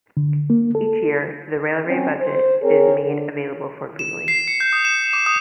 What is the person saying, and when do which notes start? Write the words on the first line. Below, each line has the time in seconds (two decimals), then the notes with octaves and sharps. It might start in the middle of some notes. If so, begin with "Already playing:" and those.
Each year, the railway budget is made available for viewing.
0.17 D3
0.50 A#3
0.75 A4
1.88 F#3 C4 C#4
2.21 C5
2.61 C4 G#4 A#4 C#5
3.06 D3
3.99 E7
4.28 C7
4.48 C#7
4.60 G6
4.73 D#6
4.85 E7
5.13 D6
5.26 D#6